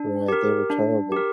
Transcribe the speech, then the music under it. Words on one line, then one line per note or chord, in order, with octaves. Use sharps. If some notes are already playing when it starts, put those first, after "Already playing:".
Right. They were terrible.
Already playing: D4
G4 A#4
D4
G4 A#4